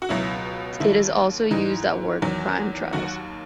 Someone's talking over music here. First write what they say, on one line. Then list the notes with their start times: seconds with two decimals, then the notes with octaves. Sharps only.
It is also used at war crime trials.
0.02 F#4
0.09 C#2 B2 F#3 E4
0.80 D#2 D#3 F#3 E4
1.51 G#2 E3 D#4
2.22 E2 D#3 F#3
2.93 D#2 D#3 F#3 F#4